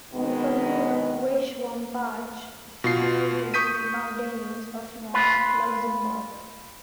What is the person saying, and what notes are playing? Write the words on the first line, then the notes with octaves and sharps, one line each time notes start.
The commune of Weiswampach is situated in the Ardennes of north Luxembourg.
B2 D#3 G#3 B3
B2 F4 C7
C#6 D#6 G6 B6 D#7
F4 B4